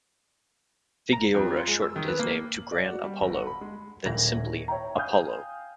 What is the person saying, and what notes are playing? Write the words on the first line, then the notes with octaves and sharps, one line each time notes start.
Figueroa shortened his name to Gran Apolo, then simply Apolo.
A#5
F2
F4
G#3
E6
D#3
B4
A#3
F#7
D5
F#4
G3
G1
F#5
B5
G#3
D#1 A#4 E5 G#6 A#6 F#7
D#3
C#5 E5 G5 A#5
F5 G5 G#5 D#6 F6 G6